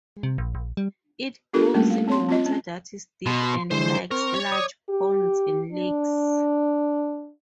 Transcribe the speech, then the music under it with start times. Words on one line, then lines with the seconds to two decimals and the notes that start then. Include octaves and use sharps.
It grows in water that is deep and likes large ponds and lakes.
0.23 C3
0.38 A#1
0.55 A#1
0.77 G3
1.53 B3 D4 F4 G4 A4 A#4
1.74 G3 A3 A#3 C#4
1.90 F5
2.08 C4 C#5 C6
2.29 C4 F4 D#5
2.46 C#4
3.27 B2 C6
3.71 D3 E3 G#3 C5 C6
4.11 C4 A#4 C#6
4.34 C#5
4.51 D5 D#6
4.89 G4
5.72 D4